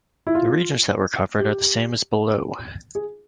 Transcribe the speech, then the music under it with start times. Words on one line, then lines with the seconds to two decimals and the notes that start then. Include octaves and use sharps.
The regions that were covered are the same as below.
0.27 E4
0.35 F4
1.39 G4
2.95 G#4